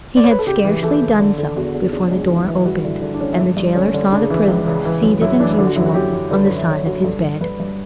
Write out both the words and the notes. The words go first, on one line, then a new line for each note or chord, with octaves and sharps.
He had scarcely done so before the door opened, and the jailer saw the prisoner seated as usual on the side of his bed.
D5
C#5
B4
A4
C#3 G4
E3
E3 A4
C#3
D3
D3
E2 F#4
E2
C#3 D4
C#4
C#2 D4
F#4
E3 E4
E3
G2 F#4
D3 E4
D3
D4
D3 C#4
E4
G2 D4
G2
D3 C#4
D3
C#3 D4
E3 E4
C#2
C#3
E3
F#2
F#2 E4
E3 D4
D3 D4
F#4
F#2 E4
F#4
F#2 G4
F#2
D3 B4
C#5
F#2
E5
D3 C#5
D3 F#4
G2 A4
G2
G2 B4
G2